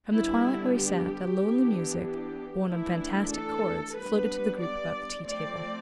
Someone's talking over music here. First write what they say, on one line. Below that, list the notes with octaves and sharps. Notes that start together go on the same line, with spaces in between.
From the twilight where he sat a lonely music, borne on fantastic chords, floated to the group about the tea-table.
D3 G3 B3 D4 E4
G4
E3 B3 D4
G4
E3 A3 D4 E4
A4
G3 B3 D4 B4
D5
F3 A3 C4 D5